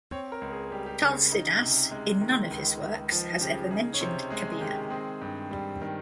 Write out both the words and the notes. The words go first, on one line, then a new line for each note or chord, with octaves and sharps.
Tulsidas, in none of his works, has ever mentioned Kabir.
C4 C#5
A#4
C#2
G#4
G3 G4
G4
C#3
D#4
C3
G#3
D#3
C#2
C#2
F3
C#3 G4
D#4 G#4
C#5
C3 C5
G#3 G#4
G#4
D#3 G4
C4 G#4
G2
G3
D#3